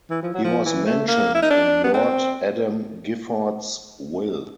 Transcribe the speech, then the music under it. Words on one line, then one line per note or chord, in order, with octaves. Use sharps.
He was mentioned in Lord Adam Gifford's will.
E3
F3
F#3
F3
E3
A3
A#3
E4
D#4
D4
B3
C4